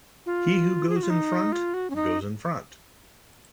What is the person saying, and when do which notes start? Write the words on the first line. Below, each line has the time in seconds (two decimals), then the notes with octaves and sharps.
He who goes in front, goes in front.
0.26 F4
0.89 G#4
0.96 F#4
1.03 F4
1.10 D#4
1.52 F4
1.74 F#4
1.90 C#4
1.95 D#4